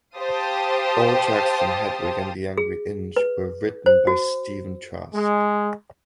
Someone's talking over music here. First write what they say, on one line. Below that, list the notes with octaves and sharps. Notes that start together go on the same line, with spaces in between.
All tracks from "Hedwig and the Angry Inch" were written by Stephen Trask.
G4 C5 F5 A5 D#6
G#4
B4
C5
F#4
G#3